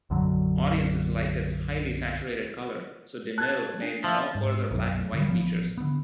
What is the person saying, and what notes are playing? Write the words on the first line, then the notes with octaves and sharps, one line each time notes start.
Audiences liked its highly saturated color, so DeMille made no further black-and-white features.
B1 F#2 D3 F#3
A5 F#6 G#6 A6
D4
F3 E5
G#2
B1 F#2
G2 D3 G3
A1 F3 B3
D3 B3